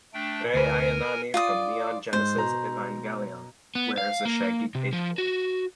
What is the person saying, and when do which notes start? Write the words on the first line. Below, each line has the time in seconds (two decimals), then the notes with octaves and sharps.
Rei Ayanami from "Neon Genesis Evangelion" wears a shaggy pageboy.
0.14 A3 D4 G5
0.54 D2 A#4 B4 G#5
1.34 F4 D5 D#6
2.13 G#2 G#3 C5
2.37 B2 A#5
3.75 B3
3.98 F5
4.25 A#3
4.75 C3
4.93 F3
5.18 F#4